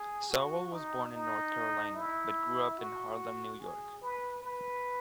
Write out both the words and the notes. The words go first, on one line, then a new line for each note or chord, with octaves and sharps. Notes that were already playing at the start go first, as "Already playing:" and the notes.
Sowell was born in North Carolina, but grew up in Harlem, New York.
Already playing: G#4
F#4
D#4
D#4
E4
F#4
G#4
B4
B4